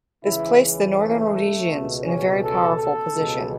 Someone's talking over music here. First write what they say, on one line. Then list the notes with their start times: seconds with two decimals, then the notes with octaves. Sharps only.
This placed the Northern Rhodesians in a very powerful position.
0.24 C#2 C#3 E3 E4
0.96 A3
1.68 C#2 B2
2.05 C#4
2.41 A4
2.77 A4
3.13 C#2 B2